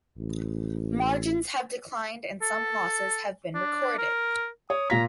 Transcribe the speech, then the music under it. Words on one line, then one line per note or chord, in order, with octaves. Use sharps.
Margins have declined and some losses have been recorded.
A1
A4
D4
A#4
C#5 D#6
A#2 F4 A#5 B6